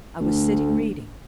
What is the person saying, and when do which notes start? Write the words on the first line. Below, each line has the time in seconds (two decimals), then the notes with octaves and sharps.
I was sitting reading.
0.21 D2